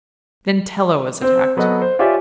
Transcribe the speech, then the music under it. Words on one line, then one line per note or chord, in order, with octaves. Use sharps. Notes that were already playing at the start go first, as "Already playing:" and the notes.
Then Tela was attacked.
C4 C5
F#3 B3 A4 D#5 F#5
C5
F4 G4 C#5 D5 E5 G#5